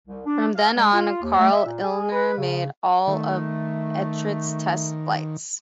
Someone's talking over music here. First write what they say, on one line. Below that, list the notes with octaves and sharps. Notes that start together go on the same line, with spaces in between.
From then on, Karl Illner made all of Etrich's test flights.
C2
D4
F5
G#3
F4
D#2
A3
E5
A#2
G#4
B4
C#3
D#3 A3